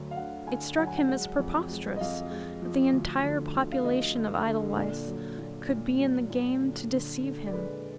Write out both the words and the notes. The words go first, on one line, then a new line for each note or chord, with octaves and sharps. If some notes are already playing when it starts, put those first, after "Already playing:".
It struck him as preposterous that the entire population of Edelweiss could be in the game to deceive him.
Already playing: D2 D3 F#3
F5
D3 F#5
D3 G#5
F#3 F#5
G#5
F#5
G#3 F#5
F2
G#3
D#5
F2 F5
G#3
F3
D2
D3
D2
F5
D2 D#5
D3
D3
A#2 D5
F#3
A#2
A#2
F#3
A#2
D3
D3
D3
D5
G#3 B4